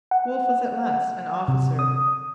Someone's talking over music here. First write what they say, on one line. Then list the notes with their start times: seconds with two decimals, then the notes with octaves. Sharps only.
Wolfe was at last an officer.
0.11 F#5
1.48 C3
1.79 D#6